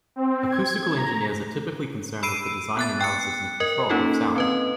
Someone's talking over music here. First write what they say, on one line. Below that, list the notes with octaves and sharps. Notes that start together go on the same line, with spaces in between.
Acoustical engineers are typically concerned with the design, analysis and control of sound.
C4
G#6
A#5
B5 E6 C7 D7 D#7
B3 F#6 A6
G5 F#6 C#7
A#4 D#5
A#3 C#4 D#4 F4 A4
C4 B4 D#5